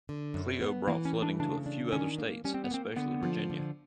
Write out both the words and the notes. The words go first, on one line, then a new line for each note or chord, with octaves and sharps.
Cleo brought flooding to a few other states, especially Virginia.
D3
F#2
B3
E3 A#3
C#4
A3
D4
C#3 D4
D4
D#3 C#4
A#3
G3 C#4
C4
B3
A#3 C4
D3 B3
F3
D3